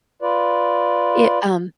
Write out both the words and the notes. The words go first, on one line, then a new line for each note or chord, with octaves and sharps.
Ye um
F4 B4 D5